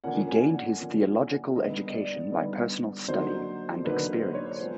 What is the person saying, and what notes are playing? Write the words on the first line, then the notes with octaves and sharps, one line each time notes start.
He gained his theological education by personal study and experience.
D3 F3 A#3 C#4 F#5
G#5
F#5
D3 F3 A#3 C#4
D3 G3 B3 D#4 D#5
D#5
D5
D3 G3 B3 D#4
D3 F#3 A#3 D#4 C5
D3 F#3 A#3 D#4 B4
C5
C#5
C5
F3 G#3 B3 C5